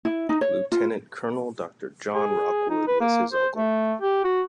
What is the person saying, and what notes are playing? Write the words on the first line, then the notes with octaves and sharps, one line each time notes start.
Lieutenant Colonel Dr John Rockwood was his uncle.
E4
D#4
C#5
F4
G#4
D#4
B4
A#3
C5
A3
G4
F#4